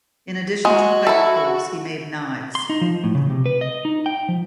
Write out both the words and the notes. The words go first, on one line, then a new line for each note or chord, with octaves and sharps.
In addition to pike poles he made knives.
G#3 F#4
E4 A4
C6
D#4
F3
A2
C#3
C3
B4
D#5
D#4
G5
F3